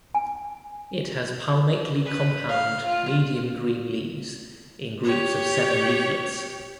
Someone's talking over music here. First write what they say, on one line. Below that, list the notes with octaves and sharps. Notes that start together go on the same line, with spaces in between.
It has palmately compound medium green leaves in groups of seven leaflets.
G#5
B4
F5
F4
G4 C#5